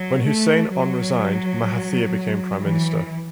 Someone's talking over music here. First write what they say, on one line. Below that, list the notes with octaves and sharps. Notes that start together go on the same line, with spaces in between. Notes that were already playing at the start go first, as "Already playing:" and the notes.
When Hussein Onn resigned, Mahathir became Prime Minister.
Already playing: F#3
A3
F#3
E3